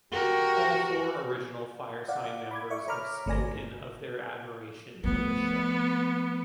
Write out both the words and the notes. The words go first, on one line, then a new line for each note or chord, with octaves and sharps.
All four original Firesign members have spoken of their admiration for this show.
F#4 G4 A#4
D5 F5 F#5
B5 D6 G#6
D5 E5 C#6
C#5 A#5 B5 D6 F6
G1 A3 D5 G#5 A#6
F3 A3 B3